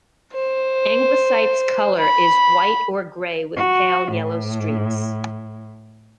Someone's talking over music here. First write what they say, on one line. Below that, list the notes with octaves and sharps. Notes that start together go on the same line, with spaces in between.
Anglesite's color is white or gray with pale yellow streaks.
C5
B5
F#4
A2